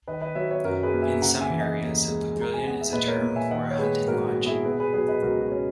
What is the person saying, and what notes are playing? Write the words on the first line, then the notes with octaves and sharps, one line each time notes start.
In some areas, a pavilion is a term for a hunting lodge.
D#3 B4 D#5
B4 D#5
F#3 C#5 E5
C#5 E5
F#2 F#4 A#4
G#4 B4
A#3
E5 G#5
C#3 F#5 A#5
E5 G#5
E3
D#5 F#5
D#2
G#3
G#3
A#5
G#5
B3 F#5
E5
A#2 B4 D#5
A#4 C#5
A#2
E5 G#5
D#3 D#5 F#5
C#5
G#3 G#4 B4
G#2 F#4 A#4
F#4
B3
E4 G#4
B2 G#4 B4
G#4 B4
F#3 G#4 B4
B4 D#5
C#2 F#4 A#4
F#4
C#4